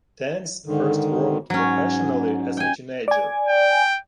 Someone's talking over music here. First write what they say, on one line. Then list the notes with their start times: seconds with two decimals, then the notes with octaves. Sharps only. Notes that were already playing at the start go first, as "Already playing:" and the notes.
Tan's first wrote professionally as a teenager.
0.66 G#2 D3 D#3
1.50 G#2 F#3 C#4
2.57 G5 G#5
3.08 D5 G#5
3.48 G5